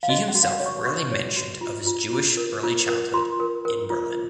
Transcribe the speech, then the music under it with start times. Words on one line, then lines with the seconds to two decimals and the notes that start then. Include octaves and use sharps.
He himself rarely mentioned of his Jewish early childhood in Berlin.
0.03 F5
0.09 F#4 D#5
0.28 F#5
0.35 F#4
0.43 F5
0.47 F#5
0.60 C#5
0.66 C#6
0.85 F#4 C#6
1.11 C#5
1.36 F#4
1.61 F4
1.87 F4
2.13 F4
2.37 A#4
2.63 F4
2.88 A#4
3.14 F4 C6
3.40 A#4
3.65 A#4
3.90 F4